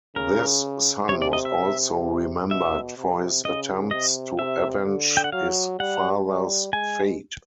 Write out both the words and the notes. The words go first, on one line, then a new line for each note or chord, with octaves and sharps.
This son was also remembered for his attempts to avenge his father's fate.
C#3 A#4
C3 C#5
D5
D#5
E5
C3
B2 E5
C3
C#3 D#5
C3 D#5
C3 E5
D3
G5
F#5
F#3 F5
G3 F#5
G3
G#3 G#5